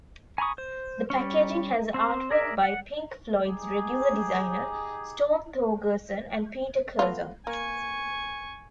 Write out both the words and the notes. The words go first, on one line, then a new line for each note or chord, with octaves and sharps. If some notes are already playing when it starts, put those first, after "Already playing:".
The packaging has artwork by Pink Floyd's regular designer, Storm Thorgerson, and Peter Curzon.
G#5 A#5 B5 C#6 D#6
C5
G3 C#4
C4 C5
G#4 A#4 D5 E5
F#5
D#4 G4 G#4
A3 B3 F4
A#3 G#5 C#6